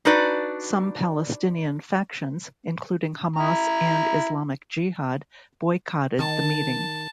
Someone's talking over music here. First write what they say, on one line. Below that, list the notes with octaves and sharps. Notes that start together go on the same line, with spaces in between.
Some Palestinian factions, including Hamas and Islamic Jihad, boycotted the meeting.
D4 D#4 F#4 B4 D5
E4 A#5
D#3 A5